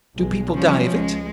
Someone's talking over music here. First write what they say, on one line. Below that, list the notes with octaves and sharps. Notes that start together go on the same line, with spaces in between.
"Do people die of it?"
B1 G#3
F3 G3 C#4
C#2 G#3